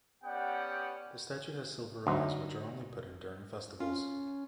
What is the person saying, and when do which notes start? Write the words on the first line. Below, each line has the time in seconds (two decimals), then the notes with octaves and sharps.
The statue has silver eyes which are only put in during festivals.
0.24 B3 C#4 G4 D5 F#5 G5
2.07 D2 F#3 D#4 E5
3.80 C#4 F4